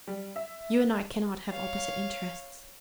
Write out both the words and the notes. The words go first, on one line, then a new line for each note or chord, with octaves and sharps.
You and I cannot have opposite interests.
G3
E5
C#5 F5